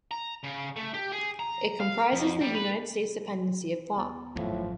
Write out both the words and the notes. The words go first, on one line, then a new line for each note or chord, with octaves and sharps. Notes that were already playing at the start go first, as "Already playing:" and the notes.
It comprises the United States dependency of Guam.
A#5
C#3
A3
G4
G#4
A#5
F5
F2
G3
B4
D#2 B3 A5
G#1 F#2 A2 E3 F3